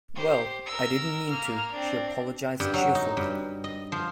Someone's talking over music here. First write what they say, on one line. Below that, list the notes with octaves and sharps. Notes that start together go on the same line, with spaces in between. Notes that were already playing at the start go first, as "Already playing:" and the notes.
"Well, I didn't mean to," she apologized cheerfully.
G4 C5
A#4 E6
A#3 F6
C4 D4
G2
F#3
D#4
G2
D#5
F3